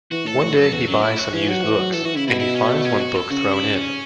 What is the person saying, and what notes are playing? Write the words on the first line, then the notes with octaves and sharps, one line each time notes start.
One day, he buys some used books, and he finds one book thrown in.
E3 F#4
A2 A4
A2 F#4
F#2 A4
E2 F#4
F#2 F#3
A2 E4
F#4
E3 C#4
F#3 F#4
E3
F#3
E3 A4
E3 F#4
C#3 E4
B2 E4
E4
C#4
A3
C#4
F#4
A4
C#3 F#4
E4
C#4